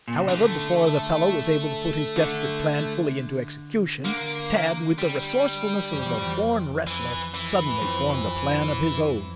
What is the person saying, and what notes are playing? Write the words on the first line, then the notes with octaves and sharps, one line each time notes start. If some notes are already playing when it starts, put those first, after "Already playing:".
However, before the fellow was able to put his desperate plan fully into execution, Tad, with the resourcefulness of a born wrestler, suddenly formed a plan of his own.
A#2
C#3
D3 A3
D3
D3 A#3
G3
F2
E2
F2
E3
E3
F2